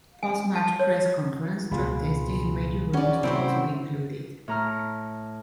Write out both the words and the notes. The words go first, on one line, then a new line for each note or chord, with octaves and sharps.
Post-match press conference, drug testing, and radio rooms will also be included.
G#5
A5
C#5
C#2 B2 A#3 F4 G#4 B4
C#3 C#4 F#4 D5
A2 C3 C4 E4 A#4 C5 B5
A2 A#5 F6